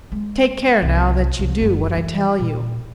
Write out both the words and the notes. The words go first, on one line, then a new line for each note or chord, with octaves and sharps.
Take care now that you do what I tell you.
G#3
C2
C2
F#1
E3
A#2